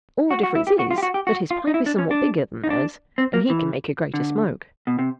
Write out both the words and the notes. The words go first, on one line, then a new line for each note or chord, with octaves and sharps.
All the difference is, that his pipe is somewhat bigger than theirs and he can make a greater smoke.
F#4
F#4
E4
G4
F#4
F4
G4
F#4
G4
F#4
F4
D#4
E4
D4
C#4
D4
D#4
D4
C4
A#3
E3
D3
B2
C3